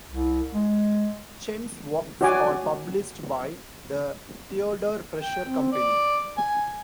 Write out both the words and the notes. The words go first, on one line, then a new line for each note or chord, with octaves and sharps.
Chen's works are published by the Theodore Presser Company.
C2
G#3
F#4 C#5 D5 F#5 G#5 D6
G5
C4
D5
G#5